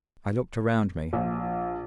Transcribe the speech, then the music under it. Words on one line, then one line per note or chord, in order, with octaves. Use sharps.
I looked around me.
A#1